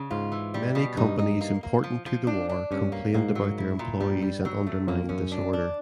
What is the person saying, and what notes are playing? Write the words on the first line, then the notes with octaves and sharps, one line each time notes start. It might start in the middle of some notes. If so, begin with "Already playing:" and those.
Many companies important to the war complained about their employees and undermined this order.
Already playing: C#3
G#2 F4
E3
G3
B2
G2 D#4
D#4
A#3
A#3
F3
F3
D4
D4
G2 C#4
A#3
G#2 A#3
F#3
E4
A#2
G2 G3
G3
F#3
A3
F2 A#3
F#2 C#4
D4
D4